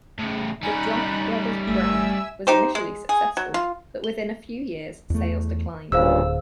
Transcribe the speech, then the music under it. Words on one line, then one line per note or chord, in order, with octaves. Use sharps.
The Drummond Brothers brand was initially successful but within a few years sales declined.
A2 C#3
G3 C#4 D#4 G#5 B5 F6 F#6
G#1 A3 E5 G#5 E6
D#4 G4 C5
G#3
G#4
F#3
F4
G7
E2 A3
D1 G2 A#2 C#3 G#4 C5 F5 E6